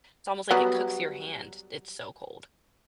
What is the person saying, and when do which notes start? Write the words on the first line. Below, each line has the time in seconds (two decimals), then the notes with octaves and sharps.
it's almost like it cooks your hand, it's so cold.
0.51 F#3 G3 B3